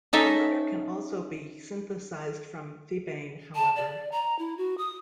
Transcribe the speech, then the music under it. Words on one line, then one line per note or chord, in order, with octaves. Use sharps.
The latter can also be synthesized from thebaine, however.
C#4 D#4 A4 E5
A5
D5
A#5
E4
F#4
D#6